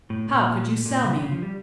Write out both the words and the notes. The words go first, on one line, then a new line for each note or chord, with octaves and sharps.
How could you sell me?
A2
A#2
A#2
C#3
A#2
C#3
F3
G3